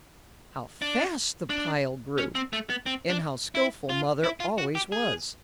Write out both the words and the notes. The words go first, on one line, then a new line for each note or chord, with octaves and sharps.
How fast the pile grew! and how skilful mother always was.
D4
D4
C#4
C4
A3
B3
C4
D4
E4
F4
E4
F4
F#4
G4
G#4